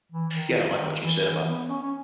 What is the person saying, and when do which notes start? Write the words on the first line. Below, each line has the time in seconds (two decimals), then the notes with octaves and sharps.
yeah, and I like what you said about,
0.12 E3
0.34 D#3
0.69 D#3
1.02 E3
1.24 E3
1.47 B3
1.69 C#4
1.82 C#4